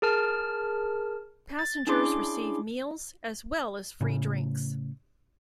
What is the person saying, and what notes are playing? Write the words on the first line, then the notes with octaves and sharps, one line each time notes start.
Passengers receive meals, as well as free drinks.
G#4 A#4 A5 F6
A6
C#4 D4 E4 G#4 C6 D6
A2 C#3